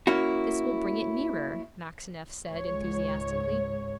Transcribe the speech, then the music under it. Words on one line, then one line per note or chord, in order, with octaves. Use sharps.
'This will bring it nearer!' Maxineff said enthusiastically.
A#3 C#4 E4 F#4
C#2 G#2 C#5